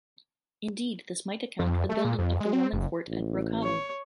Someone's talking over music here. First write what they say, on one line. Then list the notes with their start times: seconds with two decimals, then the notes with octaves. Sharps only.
Indeed, this might account for the building of the Roman fort at Brocavum.
1.59 F2
1.89 A3
2.05 A#2
2.19 F2
2.40 G#3
2.53 C4
2.73 F#1
3.08 A1
3.63 C#5